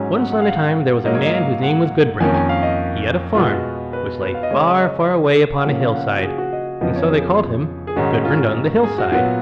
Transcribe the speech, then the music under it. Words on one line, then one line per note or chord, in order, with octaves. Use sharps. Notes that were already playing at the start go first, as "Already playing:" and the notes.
Once on a time there was a man whose name was Gudbrand; he had a farm which lay far, far away upon a hill-side, and so they called him Gudbrand on the Hill-side.
Already playing: G#2 F#3 C#4 G#5
F#5
F#5
F5
F#5
G#2 F#3 A#3 D#5
C#5
D#5
F5
F#5
F2 D#3 A#3 C#4 G#5
G#5
F5
D#5
B2 G#3 B3 F4
F#4
B4
B4
F5
D#5
C#3 G#3 C#4 C#5
D#5
F#5
C#3 F3 A#3 C#4 F5
F5
F#5
F#4
G#4
F#4
D#5
F2 C#3 F3 B3 D#5
C#5
G#4
G#4
G#2 D#3 G#3 C#4 F#4
F4
G#4
F#4
A#2 F#3 B3 F#4